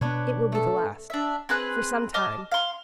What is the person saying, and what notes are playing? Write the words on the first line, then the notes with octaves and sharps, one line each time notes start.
"It will be the last--for some time."
B2 B3 D4 B4 C#5
A3 A4
D4 E5
C4 G#4 B4 F#6
D#5 A5 D6 F6
F5 C6